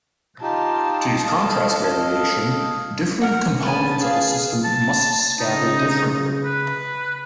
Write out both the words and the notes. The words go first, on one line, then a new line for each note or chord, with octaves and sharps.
To use contrast variation, different components of a system must scatter differently.
D#4 F4 G4 A5
A4 D#5 F5
A#4 F#5
B3 C#4 B4 G#5 A5
G#4 F5
A5
C#3 D#4
B4